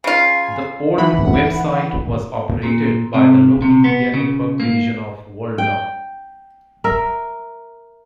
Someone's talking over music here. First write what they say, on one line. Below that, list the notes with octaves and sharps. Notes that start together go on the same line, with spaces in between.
The old website was operated by the Local Media Network division of WorldNow.
C#3 F4 G#5
E3 D#4 E5 F#5 B5
A#2
C3
C3
B3
C#3
A#3
G5
A#4 E5